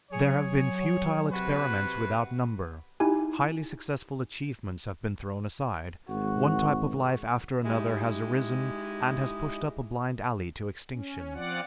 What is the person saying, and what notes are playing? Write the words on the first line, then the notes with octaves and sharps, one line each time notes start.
There have been futile experiments without number; highly successful achievements have been thrown aside; one type of life after another has arisen and has pushed up a blind alley to extinction.
F#3 G#4 C#5
C3 F#4 B4
D#4 E4 G4 G#5
G#1 F#4
G#3 D#4 E4 G4 D#5
C#4
F3 C4 F4 D5 F#5